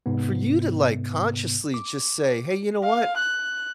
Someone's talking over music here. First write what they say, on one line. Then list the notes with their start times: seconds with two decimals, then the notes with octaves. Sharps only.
for you to like consciously just say, "Hey, you know what?
0.06 G#2 C3 B3
1.74 D6
2.83 F5
3.17 F#6